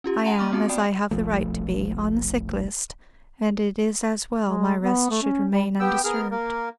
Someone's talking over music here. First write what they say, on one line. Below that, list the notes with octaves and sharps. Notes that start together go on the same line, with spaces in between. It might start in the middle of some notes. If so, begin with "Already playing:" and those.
I am, as I have the right to be, on the sick list, and it is as well my rest should remain undisturbed.
C#4 F4 G4
F#5 A5 A#5 C6 D#7 F7
A#3 C#6 D6 F6
B3 C4 F#4 A5
D5 G5 A5 B5 D#6
F1 B1 F3 A3
G#3
B3
A3
C#4
G3
B3 G4 G5 E6
B3 G#4 A#4 F6
A#3 A#4